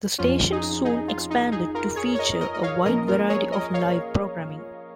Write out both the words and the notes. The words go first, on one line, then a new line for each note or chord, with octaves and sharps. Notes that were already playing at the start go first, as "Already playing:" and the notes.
The station soon expanded to feature a wide variety of live programming.
F2 F3 C#4 F4
D#4 G#4
D#4 G#4
F4
D#4
D#4 G#4
F4 A#4
G#4 C#5
C#5
A#4 D#5
A#4 D#5
D#5
C#5 F5
A#2 F3 A#3 C#4 A#4 D#5
F4 A#4
G#4 C#5
A#4 D#5
C#5 F5